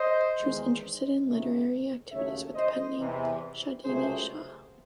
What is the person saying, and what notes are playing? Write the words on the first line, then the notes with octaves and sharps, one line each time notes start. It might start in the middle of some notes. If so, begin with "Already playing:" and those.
She was interested in literary activities with the pen-name "Chadani Shah".
Already playing: C5 D#5
E2 D#3 G#3
C#2 C3 D#3 A3
D#2 C#3 F#3 A3 C#5 E5
C5 D#5
E2 C3 E3
C#2 C3 F#3 A3 G#4 C5